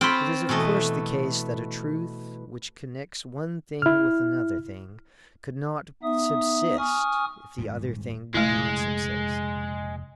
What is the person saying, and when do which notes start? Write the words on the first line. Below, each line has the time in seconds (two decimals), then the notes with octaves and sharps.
It is of course the case that a truth which connects one thing with another thing could not subsist if the other thing did not subsist.
0.01 C4 F4 C5 C#5 B5 C6
0.49 B2 E3 A3 D#5
3.82 E4 F6
6.03 B3 D#4 E5 D#6
6.78 G#5 C#6 D#6 F6
7.58 D#1 G#2 G3
8.34 F1 A#2 C#3 G#3 A3 E4